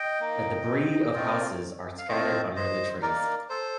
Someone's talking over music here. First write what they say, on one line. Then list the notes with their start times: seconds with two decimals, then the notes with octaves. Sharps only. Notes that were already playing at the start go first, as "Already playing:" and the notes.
The debris of houses are scattered under the trees.
Already playing: D#5 G5
0.20 A#3 D#4
1.15 A3 C4 F4
1.98 F5
2.08 A3 C4 F4 C5 D#5
2.56 C5 D#5
3.02 A#3 D#4 A#4 D5
3.49 A4 C5